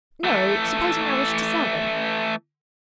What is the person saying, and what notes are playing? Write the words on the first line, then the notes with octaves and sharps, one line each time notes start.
"No; supposing I wished to sell them."
E3 A3